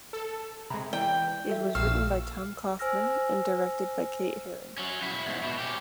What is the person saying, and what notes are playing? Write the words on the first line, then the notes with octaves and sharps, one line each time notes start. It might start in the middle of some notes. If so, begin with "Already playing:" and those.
It was written by Tom Kauffman and directed by Kate Herron.
A4
C3 G#3 A#5 B5
E3 D5 G5
F#4 A4 E5
A#1 F5 C#6 E6
C5 G#5 E6 F6 A#6
F#3 C#4
E4 F#4
E2 G#2
B2
C#4 G4